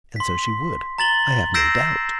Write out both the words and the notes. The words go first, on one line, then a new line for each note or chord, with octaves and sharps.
And so she would, I have no doubt.
C6 B6
A#5 A6 F#7 G7
E6 G6 A#6 C7 D7 E7